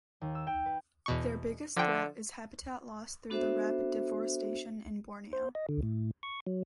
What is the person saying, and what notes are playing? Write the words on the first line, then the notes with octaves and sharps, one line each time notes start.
Their biggest threat is habitat loss through the rapid deforestation in Borneo.
D#2
E6
G5
B4
E2 B2 C#6
D3 F3 G5
B3 D4 F#4 A4 C5 E5
C5
D#5
D3
A2
C#6
F#3